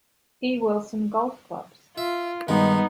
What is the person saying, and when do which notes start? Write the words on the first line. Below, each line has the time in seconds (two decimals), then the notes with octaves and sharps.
E. Wilson golf clubs.
1.98 F4 E5
2.48 G2 D#3 G#3 B3 D#4